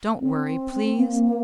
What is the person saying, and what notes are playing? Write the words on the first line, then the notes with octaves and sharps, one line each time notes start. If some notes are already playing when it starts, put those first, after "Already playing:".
Don't worry, please.
C4
A#3